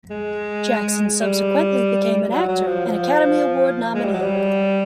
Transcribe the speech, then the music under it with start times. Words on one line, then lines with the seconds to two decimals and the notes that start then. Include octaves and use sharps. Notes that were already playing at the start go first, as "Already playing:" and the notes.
Jackson subsequently became an actor and Academy Award nominee.
0.10 G#3
1.21 G3
2.31 F#3
2.48 F#3
2.66 F3
2.86 F3
3.95 G#3
4.05 G3
4.13 F#3
4.22 G3